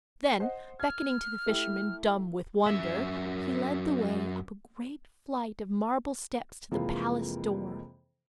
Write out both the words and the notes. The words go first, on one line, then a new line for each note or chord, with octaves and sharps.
Then, beckoning to the fisherman, dumb with wonder, he led the way up the great flight of marble steps to the palace door.
C5 D#5 F#5
F6 G#6
A3 E4 G4
F#2 E5
F2 C3 E3 G#3 A#3 F4